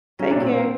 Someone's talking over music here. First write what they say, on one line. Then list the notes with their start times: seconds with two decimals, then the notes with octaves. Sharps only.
take care.
0.19 F#3 C#4
0.31 D4
0.36 A#2
0.42 C4